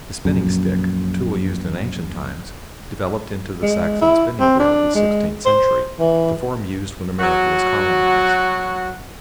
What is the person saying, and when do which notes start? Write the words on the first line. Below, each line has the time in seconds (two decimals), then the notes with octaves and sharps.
The spinning-stick, a tool used in ancient times, developed into the Saxon spinning-wheel of the sixteenth century, the form used when America was colonized.
0.25 A#1 F#2
3.62 G#3
4.02 E4
4.40 C4
4.60 D4
4.95 G#3
5.46 C5
5.99 E3
7.21 F#3 F#4